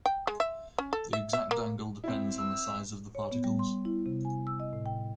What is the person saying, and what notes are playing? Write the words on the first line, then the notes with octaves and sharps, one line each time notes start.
The exact angle depends on the size of the particles.
G5
G#3
E5
C#4
A4
E5
E5
A#3
C4 E4
E6
C#5
B3
G3
C6
E4
C3
G#5
E6
D#5
A2
G5